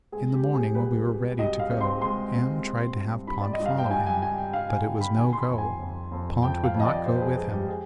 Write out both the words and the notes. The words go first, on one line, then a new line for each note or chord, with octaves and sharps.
In the morning when we were ready to go Am tried to have Pont follow him, but it was no go, Pont would not go with him.
G#3 G#4
G4
C4
G#4
C2 B4
B2
C2 D#5
F5
C4
C6
G#3 C6
C4
G#3
G2
G2 B5
D5
D#5
G2
F5
G5
G2 G#5
G#5
G2 G#5
G5
G2 F5
G#5
D3
B5
D#3 G#5
C6
B5
F2
G#5
F2
F2
F2 G5
F5
F2 D#5
D5
F2 C5
B4
G#4
G#3 G#4
G4
G#4